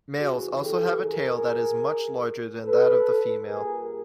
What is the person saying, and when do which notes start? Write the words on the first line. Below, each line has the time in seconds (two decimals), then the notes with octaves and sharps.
Males also have a tail that is much larger than that of the female.
0.17 E2 C#3 E3 F#4 G#4
0.58 G4 A4
1.00 G#4 A#4
2.63 A4 B4
3.45 A#2 G3 G#4 A#4